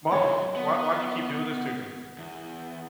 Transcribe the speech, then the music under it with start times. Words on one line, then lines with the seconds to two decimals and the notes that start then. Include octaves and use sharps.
"Mom, why why do you keep doing this to me?"
0.12 D#2 F#3 C#5
0.56 B3
2.18 E2